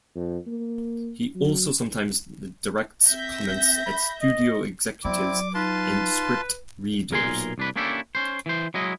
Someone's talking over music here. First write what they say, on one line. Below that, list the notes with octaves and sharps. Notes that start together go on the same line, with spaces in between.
He also sometimes directs comments at studio executives and script readers.
F2
A#3
F#3
C4 E5 G6 A#6
B5
D#5
F#3 C4 E4 D5 D6
D#4 F4 B4 A5 C6
B1 A#2 A#4 G5 G#5 C6
C2 D4 B4
A#3 C#4 D4 E4 G4 A4
C#4 C5
E3 C5
F#3 G#3 E4 D#5